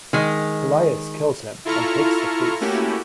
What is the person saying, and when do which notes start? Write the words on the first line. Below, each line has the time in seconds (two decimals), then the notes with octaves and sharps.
Pelias kills him and takes the Fleece.
0.13 D#3 G#3
1.65 E4 F4 A4 A#5 C#6 F6
2.61 A3 A#3 C#4 E4 F#4 G4